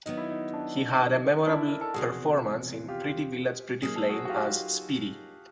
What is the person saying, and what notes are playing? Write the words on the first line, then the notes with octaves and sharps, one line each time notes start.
He had a memorable performance in "Pretty Village, Pretty Flame" as Speedy.
D#3 F#3 B3 D#4
E4
D#4
D4
D#4
D4 E4
A#4
A4
E2 C3 F3 F#4 G#4
F4 G4
F#3 A#3 D#4 G#4
A4
F#4 G#4
F#4
F4 G4